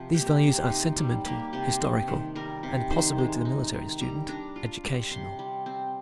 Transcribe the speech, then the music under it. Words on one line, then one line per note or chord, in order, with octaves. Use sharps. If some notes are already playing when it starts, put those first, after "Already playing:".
These values are sentimental, historical, and possibly to the military student, educational.
Already playing: C3 F3
A#3 G4
C3
D#4
G3
A#3 G4
C3 G4
C4
D#3
G3 A#4
C3
D#3 C5
G#3
D#4
D#3
G3 A#5
D4 A#5
F4
G3
C3 C6
G3
C4